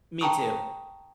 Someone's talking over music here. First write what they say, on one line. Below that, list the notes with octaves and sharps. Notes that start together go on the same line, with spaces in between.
Me too.
G5 A5 A#5 C#6 D#6